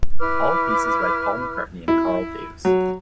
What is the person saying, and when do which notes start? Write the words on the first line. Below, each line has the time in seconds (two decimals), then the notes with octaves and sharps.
All pieces by Paul McCartney and Carl Davis.
0.19 E4 B4 D6 F6
1.88 E4
2.65 F#3